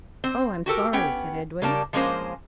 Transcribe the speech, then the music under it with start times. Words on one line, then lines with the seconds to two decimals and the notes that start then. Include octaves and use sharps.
"Oh! I'm sorry," said Edwin.
0.24 C4 C5
0.66 F#4 G4 A4 A#4
0.93 B3 C#4 G5
1.62 C#3 G3 A#4 A5
1.93 F3 G#3 A#3 C#4 A#4 C5